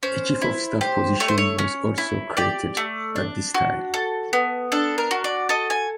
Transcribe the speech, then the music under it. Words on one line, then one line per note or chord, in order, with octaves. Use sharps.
A chief of staff position was also created at this time.
C#4 C5
E4
G4 C5
A3 C#5
C5
C#5
C#4
E4
G4 D5
A3
D4
F#4
A4
B3
D4 A4
A#4
F#4
D5
A4 D#5
G#5